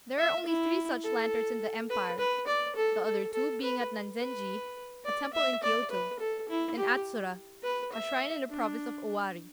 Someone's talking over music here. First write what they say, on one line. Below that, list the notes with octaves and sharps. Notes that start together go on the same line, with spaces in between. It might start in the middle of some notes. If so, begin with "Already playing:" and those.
There are only three such lanterns in the empire; the other two being at Nanzenji--a temple in Kiyoto, and Atsura, a shrine in the province of Owari.
E5
E4
A4
B4
B4
D5
A4
A4
A4
B4
B4
D5
E5
D5
B4
A4
E4
G4
B4
E5
D4